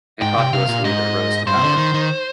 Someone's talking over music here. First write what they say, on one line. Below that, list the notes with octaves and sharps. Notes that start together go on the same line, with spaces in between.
A populist leader rose to power.
G#2 G5
C3
C3 F5
A#2
G#2 D#5
G2 C5
C3
D3
D#3
D#3